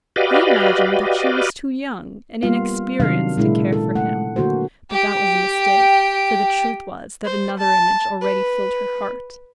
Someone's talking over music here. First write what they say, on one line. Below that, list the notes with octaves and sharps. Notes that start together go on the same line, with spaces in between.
He imagined that she was too young and inexperienced to care for him; but that was a mistake, for the truth was that another image already filled her heart.
F#4 G4 B4 D5 D#5 F5
G3 A#3 B3 F4 F5
C3 D#3 F#3 D4 F5
A#2 C#3 G#3 A#3 D4 E4
A4
A3 F#5
D3 A#3 F#4 A4 C5
G4 G5
C5
A5
B4